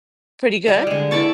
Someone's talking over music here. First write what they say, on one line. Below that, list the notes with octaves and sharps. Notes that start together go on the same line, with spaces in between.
pretty good?
G3
D3 G#3
E4 D5 A5 C#6